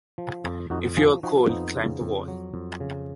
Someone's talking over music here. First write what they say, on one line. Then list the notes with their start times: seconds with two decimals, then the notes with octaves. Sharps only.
If you are cold, climb the wall.
0.18 F3
0.44 F2
0.70 F2 D#4 F#4
0.97 F3 F4 G#4
1.23 F3 D#4 F#4
1.49 F2 B3 D#4
1.75 C#3
2.01 F2
2.28 F#3
2.54 F2
2.80 C#3